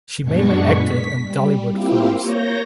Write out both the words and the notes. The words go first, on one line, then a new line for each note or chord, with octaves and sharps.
She mainly acted in Dhallywood films.
F#2 A#2 G#3 B3 D4 C#6
B6
G3
A#3 C4 E4 F4 G4
A#3 C#5 G6 A#6